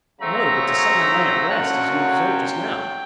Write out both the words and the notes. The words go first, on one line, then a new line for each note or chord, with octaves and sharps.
"No, but to set my mind at rest, as you observed just now."
C#3 F#3 A3 C4 A#5
F#2 D3 F#3 A#3 C#4 F#5
G5